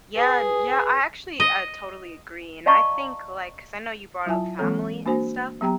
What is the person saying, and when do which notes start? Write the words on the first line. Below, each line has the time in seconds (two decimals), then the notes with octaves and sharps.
Yeah, yeah, I actually, uh, totally agree, and I think, like- 'cause I know you brought up family and stuff-
0.16 G#4 B4 D#6
1.40 D#5
2.66 D5 D#5 F5 A5 A#5 C#6
4.26 F#3 E4 F4 E5 G#5 A5
4.59 E3 G#3 A#3 C4 A4 C#5
5.06 A#3 D4 F#4 C5 G#5
5.61 F#3 B3 G4 G5 A#5